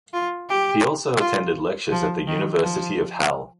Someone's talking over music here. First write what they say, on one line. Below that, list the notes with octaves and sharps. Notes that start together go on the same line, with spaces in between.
He also attended lectures at the University of Halle.
F4
G4
F4
F3
D#3
F3